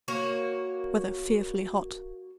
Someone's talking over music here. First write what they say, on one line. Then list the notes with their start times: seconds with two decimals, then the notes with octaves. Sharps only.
Weather fearfully hot.
0.08 A#3 F#4 C#5